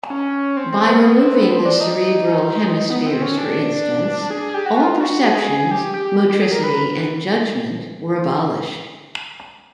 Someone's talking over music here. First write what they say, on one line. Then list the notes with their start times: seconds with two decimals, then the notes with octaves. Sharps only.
By removing the cerebral hemispheres, for instance, all perceptions, motricity, and judgment were abolished.
0.10 C#4
0.57 C4
0.72 C4
0.87 B3
1.03 B3
1.19 C4
1.35 B3
1.50 C4
1.65 D4
1.81 D#4
1.96 D#4
2.90 B3
3.06 C4
3.22 C#4
3.38 D4
4.30 G#4
4.54 G4
4.66 F#4
4.77 F4
5.01 F#4
5.23 G#4
5.71 G4
5.94 G4
6.17 G4
6.29 G4
6.41 G#4
6.52 A#4
6.63 B4